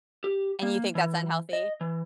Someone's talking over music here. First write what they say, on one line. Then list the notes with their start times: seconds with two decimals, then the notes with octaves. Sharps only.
And you think that's unhealthy?
0.24 G4
0.63 A#3
0.95 E3
1.53 D#5
1.81 E3